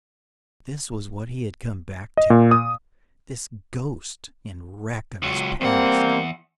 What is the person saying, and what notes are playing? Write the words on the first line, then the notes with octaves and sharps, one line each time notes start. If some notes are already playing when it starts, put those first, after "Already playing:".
This was what he had come back to--this ghost and wreck of his past!
D#5
A#2
D#6
C#2 F#3
E2 G3 A#3 C4 F#5